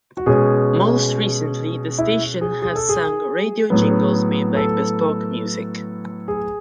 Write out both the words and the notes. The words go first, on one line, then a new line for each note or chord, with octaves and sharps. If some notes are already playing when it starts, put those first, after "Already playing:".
Most recently the station had sung radio jingles made by Bespoke Music.
F#4
B2 G#3 C#4 G#4
E4
G#4
G#4
A4
G#4
A2 F#3 B3
A4
G#4